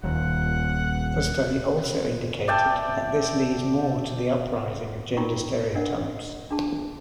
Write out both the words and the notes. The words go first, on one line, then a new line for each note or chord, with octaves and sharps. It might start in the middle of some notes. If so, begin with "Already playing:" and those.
The study also indicated that this leads more to the uprising of gender stereotypes.
D#1 D#2 F#5
D5 E5 G5 A5
D#4 F4 A#4 G5 A#5 C#6
D4 A#4 D#5 F#5
D4 G#4 A5